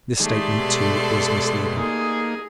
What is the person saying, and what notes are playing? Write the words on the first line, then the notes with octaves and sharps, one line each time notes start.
This statement, too, is misleading.
D#3 G#3 A3 G4 A4 D5 C6
B2 G#3
A#3 D#4 G#4